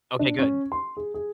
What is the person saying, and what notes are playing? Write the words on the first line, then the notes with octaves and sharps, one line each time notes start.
Okay, good.
D4
C#4
C6
G#4
G#4